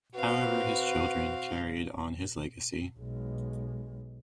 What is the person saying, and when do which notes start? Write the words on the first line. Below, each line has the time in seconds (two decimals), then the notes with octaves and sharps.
However his children carried on his legacy.
0.15 C4 F#4 B4 F5
2.98 B1 G#3